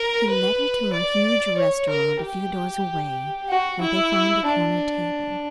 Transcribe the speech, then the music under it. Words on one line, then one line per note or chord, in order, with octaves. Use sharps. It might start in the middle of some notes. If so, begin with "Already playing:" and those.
He led her to a huge restaurant a few doors away, where they found a corner table.
Already playing: A#4
B4
D5
C#5
A#4
G4
F#4
E4
D4